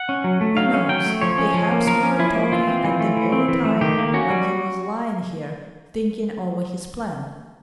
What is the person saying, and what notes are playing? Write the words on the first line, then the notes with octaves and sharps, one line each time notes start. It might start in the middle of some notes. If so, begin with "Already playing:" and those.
Who knows, perhaps we were talking at the very time when he was lying here thinking over his plan.
Already playing: F#5
C#4
F#3
A3
F#3 F5
C#4
F#3 G5
A3
F3 C#5
C#4
F3
A#3
F3 A#4
C#4
F3 E4
A#3
E3 F4
C4
E3
A3
E3
C4
E3
A3
D#3 G4
A#3
C#4 F#4
G3